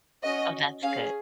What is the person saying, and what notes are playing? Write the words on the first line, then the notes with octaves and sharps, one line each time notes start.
Oh, that's good.
C#4 F#4 D#5
C#4 G#4 F5